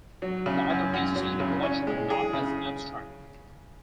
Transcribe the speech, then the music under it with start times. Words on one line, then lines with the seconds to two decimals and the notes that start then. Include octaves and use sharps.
The other pieces in the collection are not as abstract.
0.22 F#3
0.46 C#3
0.70 F#2
0.93 F#2
1.16 F#3
1.40 C#3
1.63 C#4
1.87 G#3
2.10 G#4
2.33 C#3